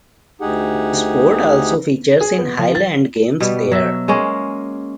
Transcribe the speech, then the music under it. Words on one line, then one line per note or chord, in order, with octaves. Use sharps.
The sport also features in Highland Games there.
D2 D#4 G4 G#4 F#5
G#4
B3
F3
A6
B2 G3 B3
F#3 E5
G#3 A#3 C#4 C#5